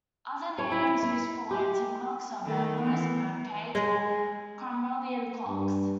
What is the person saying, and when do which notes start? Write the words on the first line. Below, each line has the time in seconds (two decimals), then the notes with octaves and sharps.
Other names used for lantern clocks are "bedpost", "birdcage" or "Cromwellian" clocks.
0.58 C#5
0.72 E4
1.03 E4
1.51 G4
2.44 D#3 A3
2.81 E3 B3
3.75 G#3
5.47 G2